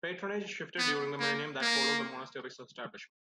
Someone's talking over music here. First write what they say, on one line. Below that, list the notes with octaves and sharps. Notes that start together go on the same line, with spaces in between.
Patronage shifted during the millennium that followed the monastery's establishment.
B3
A#3
A#3